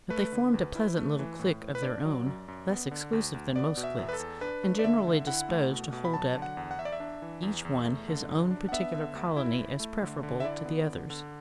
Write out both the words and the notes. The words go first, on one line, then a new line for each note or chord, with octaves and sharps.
But they formed a pleasant little clique of their own, less exclusive than most cliques, and generally disposed to hold up each one his own particular colony as preferable to the others.
A3 B4
D3
D2
E4
A3
E3
A2
A2
B4
D4 D5
F#3
F#2
F#2
B3
D3
D2
D2
B3 D5
B2
E5
E2
B4
A4
E2
D4 B4
A3
D5
D3 E5
D3
E4 F#5
A3
B2
B2
B5
F#3 A5
D3
F#5
E2
F#5
E2 E5
D5
E5
D4
E3
E2
E2
A3
D3
F#2
D4
F#5
B3 E5
D3
D2
E4
E4
A3
D3
D3
E5
E4 D5
B3
D3
D3